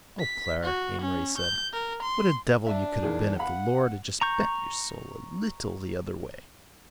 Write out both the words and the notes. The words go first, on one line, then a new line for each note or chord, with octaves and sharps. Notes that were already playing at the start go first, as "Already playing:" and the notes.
"Oh, Clara!" Amory said; "what a devil you could have been if the Lord had just bent your soul a little the other way!"
B6
F#4
C#4
G6
A#4
C6
D4 E5
E2 D#3 G#4
F5 F#5 B5
A#5 C#6 G6